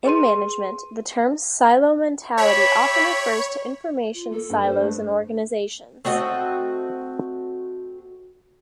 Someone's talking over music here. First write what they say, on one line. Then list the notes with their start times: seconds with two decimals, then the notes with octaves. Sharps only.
In management the term silo mentality often refers to information silos in organizations.
0.05 G#4 B4 C6 D#7
2.37 G4 C#5 E5 B5
4.14 F4
4.31 A#3 A4
4.50 G2
4.62 C5
4.77 A3 D4
6.05 A3 C4 F#4 D#5